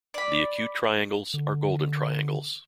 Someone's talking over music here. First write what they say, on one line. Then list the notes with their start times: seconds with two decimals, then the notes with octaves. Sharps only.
The acute triangles are golden triangles.
0.14 D5 B5
1.34 D3